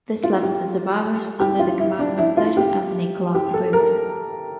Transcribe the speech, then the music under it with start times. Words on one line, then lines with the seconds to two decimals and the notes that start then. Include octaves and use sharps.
This left the survivors under the command of Sergeant Anthony Clarke Booth.
0.24 F4
0.43 G4
1.40 G4
1.59 F4
1.79 E4
1.99 D4
2.18 E4
2.37 F4
2.57 G4
3.34 G4
3.54 A4
3.73 A#4